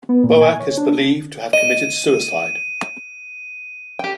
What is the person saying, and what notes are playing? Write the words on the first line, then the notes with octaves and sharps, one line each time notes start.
Boake is believed to have committed suicide.
B3
A#2
G#5
C#5
D4
D#5 D#7
G4 G5